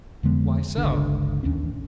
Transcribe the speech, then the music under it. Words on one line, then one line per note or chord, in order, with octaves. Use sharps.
"Why so?"
F2 D3 G#3 B3
G1 C#2 D3
A1 D#2 C#4 D4